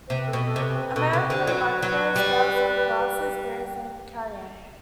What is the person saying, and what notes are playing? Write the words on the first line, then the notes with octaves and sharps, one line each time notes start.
American black bears browse on grasses, berries, and carrion.
C3 C5
B4
A4
B2
A4
C3
B4
B4
B2 A4
C3 B4
D3 C5
F#3 B4 C5
F#3
G3